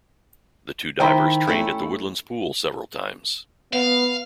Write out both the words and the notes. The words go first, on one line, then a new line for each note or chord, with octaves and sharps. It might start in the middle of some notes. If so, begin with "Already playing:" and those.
The two divers trained at the Woodland's Pool several times.
D#3 E4 C5 G5 A#5 B5
A3 C#4 E4
B3 F5